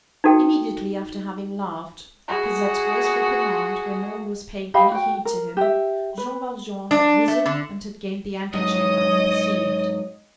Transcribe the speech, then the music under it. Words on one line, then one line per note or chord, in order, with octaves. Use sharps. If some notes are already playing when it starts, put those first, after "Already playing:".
Immediately after having laughed, at Cosette's graceful command, when no one was paying any heed to him, Jean Valjean had risen and had gained the antechamber unperceived.
D#4 F#4 A4 G5
F#4 G#4
G4 D#5 F5 B5
F#4 G5
A#4
G4 E5
B4
D4
A3
D3
G#2 F#3 C#5 D#5 D#6